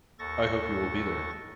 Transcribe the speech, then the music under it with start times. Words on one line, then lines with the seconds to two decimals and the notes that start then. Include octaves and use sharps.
I hope you will be there.
0.19 D#2 A4 C#6 A6 A#6